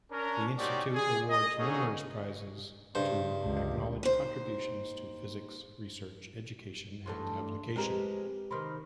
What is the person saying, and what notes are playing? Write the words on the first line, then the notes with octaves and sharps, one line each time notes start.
The Institute awards numerous prizes to acknowledge contributions to physics research, education and application.
C#4 D4 A#4
C4 C#4 D#4 F#4 G4 D5
G#4
D#5
A#3 C#4 D#4 F#4 G#4 A4
G2 C#3 C5
C#2 D3
D#2 C5
E2 G2 A3 C6
G#3 C4 G4 A#4 B4
C3 D#3 B5 C6 F6